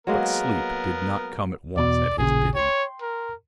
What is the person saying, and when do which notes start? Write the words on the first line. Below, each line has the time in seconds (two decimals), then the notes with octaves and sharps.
But sleep did not come at once at his bidding.
0.07 F#3 G#3 A#3 B3 A#4
1.77 E2 B2 D5
2.19 A1 A#2 C#3 G#4
2.55 C#5 G5 C6
3.02 A#4